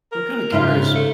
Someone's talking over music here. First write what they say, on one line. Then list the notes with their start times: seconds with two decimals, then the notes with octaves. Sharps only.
I'm kinda curious.
0.12 A#4
0.52 G#2 C#3 F4 E5
0.95 A3